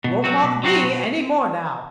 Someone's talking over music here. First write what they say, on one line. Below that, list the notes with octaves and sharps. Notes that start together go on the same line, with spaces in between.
You won't mock me any more now!'
B2
F#3 C4 F#4
B2
F#3 C4 F#4
B2